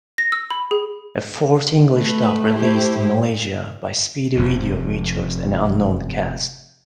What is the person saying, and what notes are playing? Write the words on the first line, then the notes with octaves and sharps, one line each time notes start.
A fourth English dub released in Malaysia by Speedy Video features an unknown cast.
A#6
E6
B5
G#4
A3 B4
E4 G4 C5
F1 F2 C3